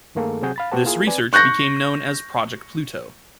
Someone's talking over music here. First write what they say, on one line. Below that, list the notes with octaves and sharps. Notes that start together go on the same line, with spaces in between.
This research became known as "Project Pluto".
G2 D#3 A3 A#3 G#4 A4
C3 F#3 C4 F#4 G#4 G6
F5 B5 A6
B3 F#4 G4 C5 A5
A#3 E4 F4 G#4 A#4
C4 B4 D5 G#5
C#6 F#6 G6 A#6